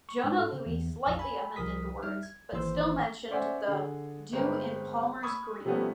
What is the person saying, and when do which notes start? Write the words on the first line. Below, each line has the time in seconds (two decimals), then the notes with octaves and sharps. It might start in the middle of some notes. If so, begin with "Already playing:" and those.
Jona Lewie slightly amended the words, but still mentioned the "do in Palmers Green".
0.09 C#6
0.24 G#2
0.38 A4
0.53 C#3
0.66 E2
1.06 A#1 F2 F5 A5 C#6 E6
1.19 G#5 B5
1.56 C2 F3 A#4 D#6 B6
2.03 G3 D#4 E5 F6
2.23 G#6
2.52 G#1 E3 A#3 C5 C6 E6
3.31 C#4 C5 D5 E5 F#5 G#5
3.68 D3 G#4
4.33 G1 G#3 C4 A#4 B4
5.23 B5 C#6 D#6 E6 G#6
5.65 C3 F3 G3 A3 B3 C#4